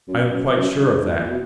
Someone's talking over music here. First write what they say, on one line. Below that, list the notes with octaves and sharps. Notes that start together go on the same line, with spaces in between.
I am quite sure of that.
F#2
F#2
F#2
G2
A#2
A#2
B2